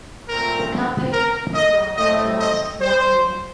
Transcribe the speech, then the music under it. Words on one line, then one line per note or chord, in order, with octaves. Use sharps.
The campaign was programmed to last one year.
A#2 A3 C4 A#4
A#4
D#5
A2 A3 C4 D#5
D#5
C5